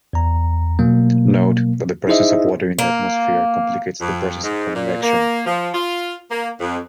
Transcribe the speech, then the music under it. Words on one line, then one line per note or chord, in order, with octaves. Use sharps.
Note that the presence of water in the atmosphere complicates the process of convection.
E2 A#5
B2 F#3 A#3
D#4 E4 G#4 C5 D#5 E5
A#3
F2
G#2
A#2
A#3
F3
F4
A#3
F2